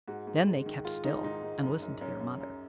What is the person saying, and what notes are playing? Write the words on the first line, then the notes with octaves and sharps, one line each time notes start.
Then they kept still and listened to their mother.
G#2 F#4
G#2
G#3
D#3
G#3 F4
D#3 D#4
G#2 D#4
G#2
F#2
F#2
F#2 C#4
F#2
F#2